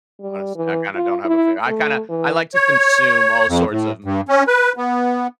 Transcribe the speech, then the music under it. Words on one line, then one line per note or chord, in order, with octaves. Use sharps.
Honestly, I kinda don't have a fave I kinda I like to consume all sorts of movies.
G3
E3
F4
E4
A3
E3
C#5
F2
A2
G2
C#4
B4
B3